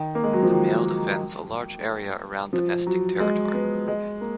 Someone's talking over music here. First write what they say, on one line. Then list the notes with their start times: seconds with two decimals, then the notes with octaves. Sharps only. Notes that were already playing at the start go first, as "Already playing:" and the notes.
The male defends a large area around the nesting territory.
Already playing: D#3
0.15 A#3
0.24 G#3
0.33 F#3
0.42 F3
0.51 D#3
2.53 F3
2.87 F#3
3.20 G#3
3.54 B3
3.88 G#3
4.21 A#3